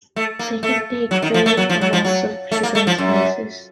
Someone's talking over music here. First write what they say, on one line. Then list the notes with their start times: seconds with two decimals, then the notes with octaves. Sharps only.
They can take varying amounts of sugar and spices.
0.16 A3
0.39 A#3
0.63 A3
1.11 F#3
1.22 D#3
1.34 F3
1.46 A3
1.57 F#3
1.70 F3
1.81 F#3
1.93 F3
2.05 F#3
2.52 A3
2.63 A#3
2.75 A3
2.87 F3
2.98 F#2